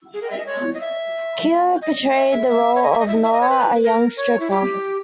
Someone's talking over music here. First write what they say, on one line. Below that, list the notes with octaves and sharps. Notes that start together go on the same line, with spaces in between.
Keough portrayed the role of Nora, a young stripper.
G#4
A#4
E5
D#5
C#5
D#5
E5
D#5
E5
E5
E5
C#5
D#5
E5
D#5
E5
E5
D#5
C#5
B4
A#4
C#5
E4
G4